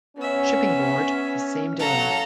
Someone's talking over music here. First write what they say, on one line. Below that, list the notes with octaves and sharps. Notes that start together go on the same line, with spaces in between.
Shipping Board the same day.
B3 C#4 E5
A1 F#2 F#3 A4 F5 A#5